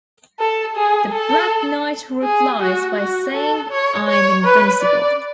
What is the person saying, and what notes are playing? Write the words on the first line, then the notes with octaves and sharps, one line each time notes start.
The Black Knight replies by saying, I'm invincible!
A4
G#4
A4
G#4
F#4
F#4
A4
C#5
C#5
B4
D5